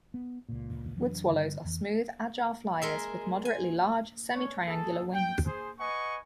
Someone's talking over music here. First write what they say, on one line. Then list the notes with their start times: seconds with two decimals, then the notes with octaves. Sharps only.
Woodswallows are smooth, agile flyers with moderately large, semi-triangular wings.
0.14 B3
0.49 C#2 A#2
0.95 F1 E3 F#3 D4
1.27 G2 D3
1.64 F2 E3
2.82 G#3 A#4 E5
3.45 G#5
4.33 C#4 D4 C#5
4.67 G#4 A4
5.14 G5
5.46 G#4 C5
5.79 B4 D#5 F#5 G#5 C#6